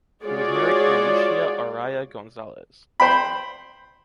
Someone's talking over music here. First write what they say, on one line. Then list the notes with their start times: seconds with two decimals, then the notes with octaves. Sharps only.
He was married to "Alicia Araya González".
0.24 G#3 F4 F#4 G#4 C#5 D5
3.00 C5 G5 B5